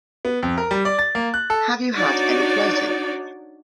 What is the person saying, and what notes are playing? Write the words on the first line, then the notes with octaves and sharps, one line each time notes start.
Have you had any flirting?
B3
F2
A#4
G3
D5
A6
A#3
F#6
A4
D4 D#4 F#4 C#5 D5